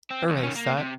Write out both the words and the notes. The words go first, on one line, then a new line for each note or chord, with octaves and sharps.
Erase that.
C4
E2
D#3 C#4
A#3
C3